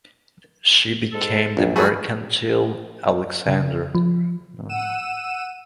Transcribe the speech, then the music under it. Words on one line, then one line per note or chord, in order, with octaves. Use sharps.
She became the mercantile "Alexander".
G#2 G#3 A4
A#1
G#2 F3 F#3 A3 F#4 G#4 B4
C#3
F3
F#5 E6 D#7 E7